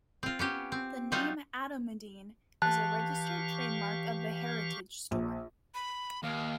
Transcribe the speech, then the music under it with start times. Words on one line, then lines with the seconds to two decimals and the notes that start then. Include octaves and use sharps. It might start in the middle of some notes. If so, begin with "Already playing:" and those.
The name Atomidine is a registered trademark of The Heritage Store.
0.23 C4 F4
0.39 B3 C#4 G4
0.72 C4
1.12 F#3 G3 D#4 F4 C5
2.62 E3 G4 F5 A5 C#6 F#6
5.11 A#1
5.74 B5
6.23 D#2 F5